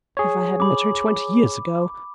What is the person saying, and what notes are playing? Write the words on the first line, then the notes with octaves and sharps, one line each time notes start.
If I had met her twenty years ago!
G#4 C#5
B5 D6